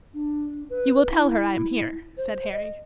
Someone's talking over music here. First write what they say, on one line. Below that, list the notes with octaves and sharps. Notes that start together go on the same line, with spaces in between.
'You will tell her I am here?' said Harry.
D4
B4
E4
C5
D#5